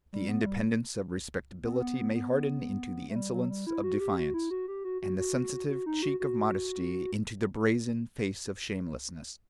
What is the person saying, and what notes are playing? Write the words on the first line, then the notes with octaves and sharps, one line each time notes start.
The independence of respectability may harden into the insolence of defiance, and the sensitive cheek of modesty into the brazen face of shamelessness.
G3
B3
A3
G3
B3
C4
B3
B3
A3
G3
F#3
G3
E4
F#4
G4
F#4
E4
F#4
G4
F#4
F#4
F#4
F#4
D#4
F#4
F#4